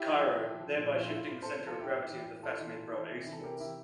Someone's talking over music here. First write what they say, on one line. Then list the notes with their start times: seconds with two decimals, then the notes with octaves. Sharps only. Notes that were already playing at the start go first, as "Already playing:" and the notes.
Cairo, thereby shifting the centre of gravity of the Fatimid realm eastwards.
Already playing: E4 G4
0.09 F3
0.25 F3
0.42 F3
0.59 F3
0.76 A#2
0.92 F3 E4
1.00 F4
1.07 A2 E4
1.17 F4
1.26 A2
1.42 A2 A4 C5
1.59 F3
1.67 F4 A4
1.76 F3 E4 G4
1.93 A2
2.10 E3
2.26 A2
2.43 A2 F4 A4
2.59 E3
2.77 A2
2.93 E3
3.10 C3
3.26 E3
3.33 A4
3.44 C3 G4 A#4
3.60 E3 E4 G4